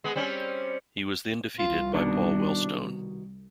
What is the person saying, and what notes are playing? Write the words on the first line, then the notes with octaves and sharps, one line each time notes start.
He was then defeated by Paul Wellstone.
G#3 B3
G3 C4 C#4
C2 F4
B2 D#3 D4